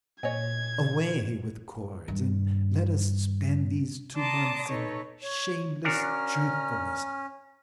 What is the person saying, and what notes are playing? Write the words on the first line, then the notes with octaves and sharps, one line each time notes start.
Away with cords and let us spend these two months in shameless truthfulness!
A#2 C#5 D#5 G#5 G#6
G2 D#3
D5 A5 A#5 C6 D6 D#6
D#4 A4 B4 C#5
C#5
C#4 D4 F#4 A#4 A#5 F6